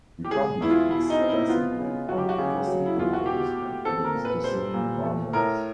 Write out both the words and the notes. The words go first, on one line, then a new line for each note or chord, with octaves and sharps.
He published extensively on fossil turtles and Pleistocene mammals.
G4
G#3 G#4
E2 E4
F4
B2 E4
D#4
C4
E4
B3 F4
C#3
F#3 F#4
G4
F#4
C#3
F#3
E4
E2 F4
F#4
B2 G4
A3
C4 A4
A#4
A#2
B4
G3 C5
A#2
A3
A2 A#4